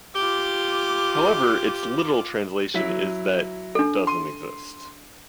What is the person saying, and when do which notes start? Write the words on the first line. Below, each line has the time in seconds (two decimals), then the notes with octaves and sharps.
However, its literal translation is That doesn't exist.
0.15 F4 G4 D6
2.74 F#3 E4 B6
3.75 D4 A4
4.07 C6 D#7